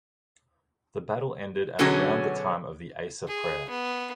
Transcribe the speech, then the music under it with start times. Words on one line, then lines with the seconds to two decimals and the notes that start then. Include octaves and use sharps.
The battle ended at around the time of the Asr prayer.
1.79 B2 D3 F#3 C#4 F#4 G#4
3.27 G#4
3.69 B3